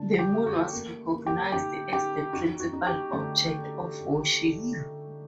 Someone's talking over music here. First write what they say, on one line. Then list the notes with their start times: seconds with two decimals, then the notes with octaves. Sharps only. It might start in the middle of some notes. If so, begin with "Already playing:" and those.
The moon was recognized as the principal object of worship.
Already playing: D3 D4 A5
0.19 G4
0.32 A3
0.46 F#4
0.73 A#3
1.13 A#3
1.27 G4
1.52 D#4 G4
1.92 D#4 G4
2.33 D#4 F#4
2.60 F#4
2.73 D#4
2.87 G4
3.12 D3 A3 A4